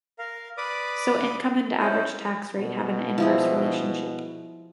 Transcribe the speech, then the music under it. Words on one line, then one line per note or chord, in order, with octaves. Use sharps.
So income and average tax rate have an inverse relationship.
A#4 F5
B4 D5 B5 D6 D#6
C#4 D#4 E4 C5
B2
F3 E4 G#4